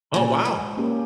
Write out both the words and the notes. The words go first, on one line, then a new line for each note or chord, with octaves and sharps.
Oh, wow.
A#2 C#3
G#2
A#3 C#4 G4